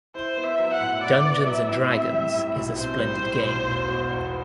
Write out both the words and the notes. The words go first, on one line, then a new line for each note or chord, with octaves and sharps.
Dungeons and Dragons is a splendid game.
E4 C5
B3
E5
F#3
F#5
A2
E4 D5
B3
F#3 E5
A2
C4
G3
A2
B1
C4 C5
G3
A2
B1
E1
B2
E2